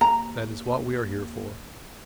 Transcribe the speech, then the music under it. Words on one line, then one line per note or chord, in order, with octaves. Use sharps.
That is what we are here for.
D#2 A#5